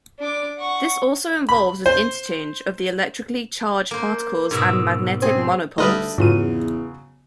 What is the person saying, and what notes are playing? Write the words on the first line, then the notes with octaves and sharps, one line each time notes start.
This also involves an interchange of the electrically charged particles and magnetic monopoles.
D4 D6
F#5 C#6
B5
C5
A#3 C5
G#2 B2 E5
C4 G#4
D2 G3 A3 D#4 B4 D#5 F6
E2 G#2 C#3 F#3 B3 F4 D#7